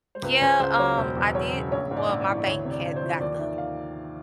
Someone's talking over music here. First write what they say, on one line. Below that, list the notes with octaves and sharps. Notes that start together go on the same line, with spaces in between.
Yeah, um, I did Well, my bank had got the,
C5
C#2 B4
C#3 C5
C#2 C5
F#3 C#5
E1 C5
E2
F#3 C#5
C#3
A#1 C#5
G#2
D5
A#1
D5
E3
D5
D2 C#5
C3
D5
D2
C5
F3
D#2 D5
D#3 E5
F5